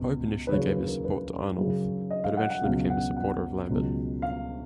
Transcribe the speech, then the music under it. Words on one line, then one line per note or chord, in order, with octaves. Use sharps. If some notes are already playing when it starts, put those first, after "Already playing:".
Pope initially gave his support to Arnulf, but eventually became a supporter of Lambert.
Already playing: C#2 B2
B4
D#2 C#3 F#3 C#5
B4
A#4
B4
F#2 C#3 F#3
D#5
F5
F#5
F#5
C#2 B2 F#3 F5
F#5
F#5
C#2 B2 F#3
F5